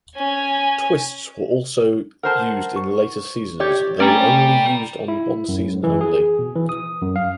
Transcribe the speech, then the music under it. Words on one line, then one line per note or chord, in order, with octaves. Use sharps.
Twists were also used in later seasons though only used on one season only.
C#4 G#5
A#4 C5 F#5 A5
C#6
G4 C#5 D5
A3 C#4 D5 G5 A#5 A6
E4
F#2
E3
G#4
B2
E3
D#6
F#2
F5